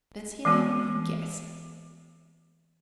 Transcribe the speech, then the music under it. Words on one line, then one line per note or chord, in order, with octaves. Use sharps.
Let's hear you guess.
E3 G#3 B3 F#4